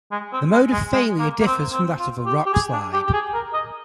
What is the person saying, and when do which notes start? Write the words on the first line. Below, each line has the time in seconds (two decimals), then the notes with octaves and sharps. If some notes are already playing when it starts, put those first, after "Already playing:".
The mode of failure differs from that of a rockslide.
0.12 G#3
0.33 C4
0.52 G#3
0.72 G#3
0.93 G#3
1.19 A#3
1.41 A#3
1.46 C4
1.73 C4
1.99 F4
2.26 G4
2.46 G4
2.53 G#4
2.73 D4
2.93 G4
3.07 G4
3.13 G#4
3.34 A#4
3.54 D#5